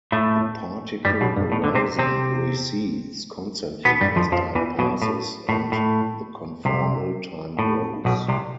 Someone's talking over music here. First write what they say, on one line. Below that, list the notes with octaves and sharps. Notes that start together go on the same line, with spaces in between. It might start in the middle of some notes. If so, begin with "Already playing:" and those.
The particle horizon recedes constantly as time passes and the conformal time grows.
A2 A3
G2 G3
B1 B2
G2
A2
D2 D3
C3 C4
C3 C4
B2 B3
G2 G3
F2 F3
F2 F3
E2 E3
B1 B2
A2
A2
A2
C2 C3
A2
B1 B2
C2 C3